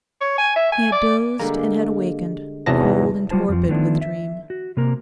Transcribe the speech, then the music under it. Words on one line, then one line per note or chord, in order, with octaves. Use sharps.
He had dozed and had awakened, cold and torpid with dream.
C#5
G#5
E5
G#5
D5
D3 G3 G#3 A#3 A#5
E2 G#2 C3 F#3 B3 A5 A#6
F#3 G3 F4 C5 A5
F2 F3
D#3 F3 A3 B3 D4 E4
E5
F#4
C3 A#3 A#4